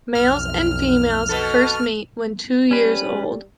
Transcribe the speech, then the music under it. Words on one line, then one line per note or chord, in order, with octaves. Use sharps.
Males and females first mate when two years old.
B1 F2 F6
B2 B3 A4
G3 C#4 B4